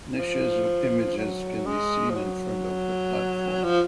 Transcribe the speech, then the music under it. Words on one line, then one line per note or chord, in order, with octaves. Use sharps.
Niches with images can be seen in front of the platform.
F3
F#3
G#3
F3
F#3
F3